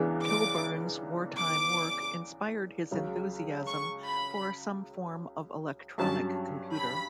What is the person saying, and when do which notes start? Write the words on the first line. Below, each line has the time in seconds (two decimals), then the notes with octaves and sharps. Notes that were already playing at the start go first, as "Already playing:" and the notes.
Kilburn's wartime work inspired his enthusiasm for some form of electronic computer.
Already playing: C#2 C#3 E3 B3 D4
0.23 D6
1.38 D6
2.91 C#2 C#3 F#3
3.68 C#6
4.07 B5
5.98 G2 F#3 C#4 A5
6.75 B5